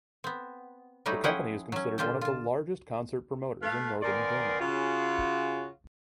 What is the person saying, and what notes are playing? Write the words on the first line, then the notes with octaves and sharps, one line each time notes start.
The company is considered one of the largest concert promoters in northern Germany.
B3 C4
F#3 G3 A3 D#4 E4 G4
F3 C#4 E4 G#4 F#5 G5
F#3 C#4
A#2 D3 F4 G4 G5 A5
F4 A5
A3 A4 B4 F5
D#3 B3 A#4 D5 G#5 C6
C#3 F4 F#4